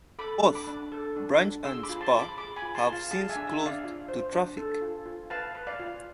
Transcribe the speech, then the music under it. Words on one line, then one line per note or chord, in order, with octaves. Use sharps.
Both branch and spur have since closed to traffic.
A4 B5 D6
D4
B5 D6
D4
A4
D4
D4
G#4 C6 E6
B5 D6
F4
A5 C6
F4
B5 D6
G#4 B5 D6
G#5 B5
F4
A5 C6
F4
F5 A5
G#4 F5 A5
E5 G#5
D4
E5
D4
D5 F5
F4
C5
D4
A4
F4
F4
B4 F5 A5
B4
D5 F5
F4